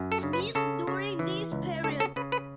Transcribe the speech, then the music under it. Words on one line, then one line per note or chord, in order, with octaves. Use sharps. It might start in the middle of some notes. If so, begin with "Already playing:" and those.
Smith during this period.
Already playing: F#2
A4
C#3
B4
C#3 A4
C#3
E3
C#2
C#3 A4
A4
C#3 B4
B4